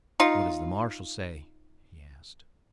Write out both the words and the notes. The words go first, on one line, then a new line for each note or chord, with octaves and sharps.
"What does the marshal say?" he asked.
D#4 F4